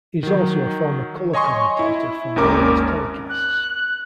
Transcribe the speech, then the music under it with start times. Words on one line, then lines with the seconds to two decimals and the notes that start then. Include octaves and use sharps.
He is also a former color commentator for Royals telecasts.
0.23 D#3 F#3
1.33 C#5 D#5 G#5 C6 C#6
1.79 E4
2.36 G#1 D#2 C#4 A#4 D6
3.30 F#6